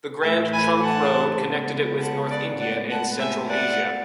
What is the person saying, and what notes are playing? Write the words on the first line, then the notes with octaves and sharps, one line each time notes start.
The Grand Trunk Road connected it with North India and Central Asia.
A2 E3 A3 E5 G#5
G#5 B5
F#5 A5
C#3 G#3 B3
F#5 A5
D5 F#5
A2 G#3 B3 D5 F#5
F#5 A5
E5 G#5
D5 F#5